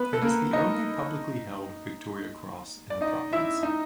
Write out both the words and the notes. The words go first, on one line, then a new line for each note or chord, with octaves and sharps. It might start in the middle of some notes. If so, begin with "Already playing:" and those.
It is the only publicly held Victoria Cross in the province.
Already playing: B3 B4
A4
A#3 A#4
D#4 D#5
D5
D#4 D#5
E4 E5
D#4 D#5